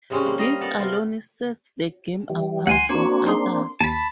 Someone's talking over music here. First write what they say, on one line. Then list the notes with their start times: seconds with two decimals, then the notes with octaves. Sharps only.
This alone sets the game apart from others.
0.10 C3 G3 G#3 C4 C#4
0.26 A#3
0.38 G3 D#5 F5
0.61 B3 A4 A#4 D5
0.79 C3 F4
2.30 E3 G3
2.67 D2 F#5 G#5 C6
2.89 A#3 C4 D4 F#4 C#5
3.27 D#4 G#4 C6
3.81 D#2 A5 B5